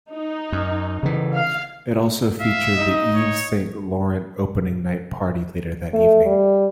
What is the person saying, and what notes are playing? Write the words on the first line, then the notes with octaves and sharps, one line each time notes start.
It also featured the Yves Saint Laurent Opening Night Party later that evening.
D#4
F#2
C#3 E3
F5
E5 F5
D#4
C#5
A3
G3